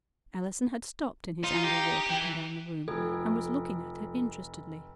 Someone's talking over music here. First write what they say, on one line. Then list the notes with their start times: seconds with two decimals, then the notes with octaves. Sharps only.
Allison had stopped in his angry walk up and down the room, and was looking at her interestedly.
1.44 D#4 F4
1.64 G4
2.10 E3
2.88 F1 F3 F4 A4 D#6